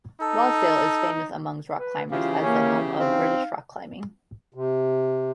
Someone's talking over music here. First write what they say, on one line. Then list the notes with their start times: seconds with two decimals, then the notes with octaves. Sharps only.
Wasdale is famous amongst rock climbers as the home of British rock climbing.
0.21 D#4 A4
1.77 B4
2.11 C#3 E3 F4 G4 F5
2.42 A#3 C#4
2.99 C4 D#4 F5
4.54 C3